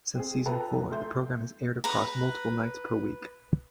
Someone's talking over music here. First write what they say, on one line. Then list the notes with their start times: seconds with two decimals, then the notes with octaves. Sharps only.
Since season four, the program has aired across multiple nights per week.
0.15 C4 G#4
0.45 F4 A4 B4 G5 A5 A#5
0.71 F2
0.91 A3 C6 G6
1.84 B4 A#5